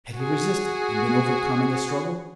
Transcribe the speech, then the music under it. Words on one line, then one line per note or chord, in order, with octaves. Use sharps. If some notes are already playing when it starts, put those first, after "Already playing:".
Had he resisted, and been overcome in the struggle?
F#4 G#4